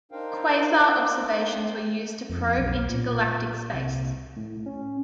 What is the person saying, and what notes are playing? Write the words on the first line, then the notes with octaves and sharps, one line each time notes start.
Quasar observations were used to probe intergalactic space.
D4 D#4 A#4 C5 F5 G5
F2
B1
A#2
C2
A2
C#4